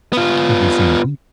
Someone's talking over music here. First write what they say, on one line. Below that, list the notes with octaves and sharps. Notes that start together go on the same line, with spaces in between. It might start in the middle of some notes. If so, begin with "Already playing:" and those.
Have you seen them?
B3 F4